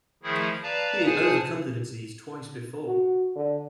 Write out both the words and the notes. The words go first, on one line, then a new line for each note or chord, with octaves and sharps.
He had overcome the disease twice before.
D#3 F3 A3 E4 G#4
B4 D5 F5 A5 A#5
G#4 C5 F#5 G#5 A5
F#4
D3